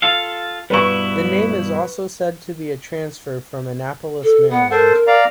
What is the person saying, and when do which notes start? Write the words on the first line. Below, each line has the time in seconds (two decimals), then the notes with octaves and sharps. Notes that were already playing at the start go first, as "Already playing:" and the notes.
The name is also said to be a transfer from Annapolis, Maryland.
0.02 F4 A4 F5
0.70 G2 B2 E4 B4 C#6
4.23 A4
4.50 B3 F#5
4.71 A4 A#4 C5
5.07 D5 F5 A#5